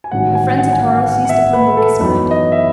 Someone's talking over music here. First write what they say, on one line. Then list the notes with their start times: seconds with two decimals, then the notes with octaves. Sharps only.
A frenzied horror seized upon Loki's mind.
0.04 G#5
0.11 A1 G#2 D#3 F#3 C#4 F#5
0.35 G#5
0.58 F#5
0.73 G#5
0.82 F#5
1.06 F#5
1.25 F#5
1.29 E5
1.53 B4
1.77 A4
1.99 F#2 E3 B3 D#4 B4
2.31 D#5
2.52 E5